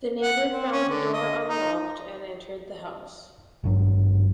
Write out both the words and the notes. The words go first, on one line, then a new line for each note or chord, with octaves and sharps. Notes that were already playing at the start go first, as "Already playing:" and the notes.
The neighbor found the door unlocked and entered the house.
F#5
C4
C#4
D3
D#5
D#4
G#1 G2 F#3